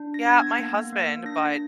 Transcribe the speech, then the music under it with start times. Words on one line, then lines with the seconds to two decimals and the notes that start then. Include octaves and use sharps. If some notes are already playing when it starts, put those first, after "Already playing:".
Yeah, my husband, but
Already playing: D4
0.14 A#6
0.26 B3
0.37 G#6
0.59 A#3
0.93 A#3
1.25 D4 A#6